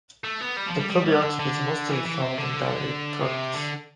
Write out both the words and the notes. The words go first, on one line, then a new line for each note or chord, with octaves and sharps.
The probiotic is mostly found in dairy products.
A3
B3
G3
F3
G3
G3
G3
D3
D3
E3
E3
C3
D3
C3
D3